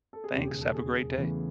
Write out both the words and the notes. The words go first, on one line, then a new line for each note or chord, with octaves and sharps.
Thanks, have a great day.
A4
G#4
E1 D#2 C#3 G4
G#4
A4
G#4
E2 C#3 E3 A3